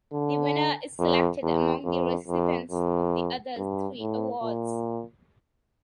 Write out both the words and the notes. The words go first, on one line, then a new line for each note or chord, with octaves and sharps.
The winner is selected among the recipients of the other three awards.
D3
F2
E2
F2
F2
F2
G2
A2
A#2